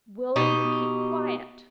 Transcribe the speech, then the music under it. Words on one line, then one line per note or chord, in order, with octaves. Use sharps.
"Will you keep quiet?"
B2 D#4 G4